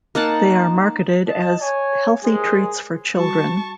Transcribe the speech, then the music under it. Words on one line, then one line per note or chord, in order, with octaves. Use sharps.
They are marketed as healthy treats for children.
A#3 D#4 F#5 A5
D#5 A5
C#5 G#5
D#2 G#2 G#3 G#4
G3 F#4 A5 C#6